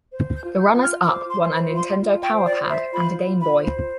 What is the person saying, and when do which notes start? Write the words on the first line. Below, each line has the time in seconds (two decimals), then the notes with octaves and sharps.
The runners-up won a Nintendo Power Pad and a Game Boy.
0.12 C5
0.36 G6
0.43 F4
0.59 G6
0.75 F4
0.82 F6
1.06 C5 D6
1.30 C6
1.37 C5
1.53 B5
1.68 F4
1.76 C6
1.99 F4
2.23 G5
2.31 C5
2.46 D5
2.62 C5
2.70 E5
2.93 F4 B5
3.25 F4
3.40 B5
3.56 C5